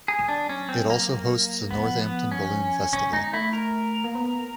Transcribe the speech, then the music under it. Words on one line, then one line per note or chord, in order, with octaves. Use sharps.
It also hosts the Northampton Balloon Festival.
G#4
G3
D4
F#3 C#4
C4
A#3
A#3
F3 B3
B3
C#4
F#3 C#4
G#3 D#4
A3 E4
A#4
A#3
B3